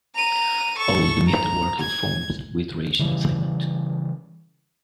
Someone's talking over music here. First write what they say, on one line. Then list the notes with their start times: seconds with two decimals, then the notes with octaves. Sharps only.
Old Mr. Wardle foamed with rage and excitement.
0.15 A#5 D#7
0.77 A4 C#6
1.26 A#5
1.80 G#6
2.99 C#3 E3 G3